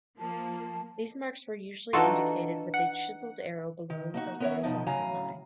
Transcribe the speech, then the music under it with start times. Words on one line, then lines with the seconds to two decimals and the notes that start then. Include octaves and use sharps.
These marks were usually indicated with a chiseled arrow below the horizontal line.
0.19 F3 A#3 A5
1.93 E3 D4 D#4 F4 F#4 A4
2.74 F#5
3.90 D#3
4.14 A#3 D#4 F#4
4.40 B3 C#4 A#4 C5 C#5 E5
4.63 B2 D#3 F3 D#4
4.86 A2 C#3 F#3 F5 G#5 A#5